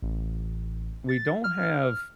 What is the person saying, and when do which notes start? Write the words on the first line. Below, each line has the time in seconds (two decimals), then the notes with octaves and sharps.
we don't have
0.02 A1
1.09 A6
1.44 F6